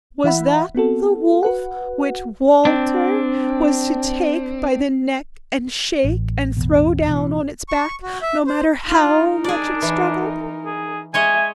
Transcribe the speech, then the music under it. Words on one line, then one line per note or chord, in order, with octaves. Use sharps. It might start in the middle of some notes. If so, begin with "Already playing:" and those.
Was that the wolf which Walter was to take by the neck and shake and throw down on its back, no matter how much it struggled?
E3 E4 E5 F#5 B5
B3 C4 F#4 A4
F#4 B4 F#5
C4 D4
A1
E2 B2
B2 E3
C#6
F#4
E5
C5
D#4 F4 A#4
D4 G#4 D5
E3
G#4
G#3 C#5 D#5 E5 G#5